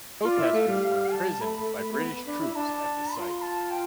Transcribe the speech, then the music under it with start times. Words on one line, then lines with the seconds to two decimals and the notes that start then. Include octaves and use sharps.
Protesters were imprisoned by British troops at the site.
0.25 F4 D5
0.39 E4
0.44 E5
0.54 A3 F5
0.68 G3
0.82 F5
1.12 A5
1.40 A3 B5
1.59 A3
1.78 A3
1.92 A3
1.97 B3
2.27 D4
2.41 E4
2.55 D4 A5
3.13 F4 C6
3.41 A5
3.70 G5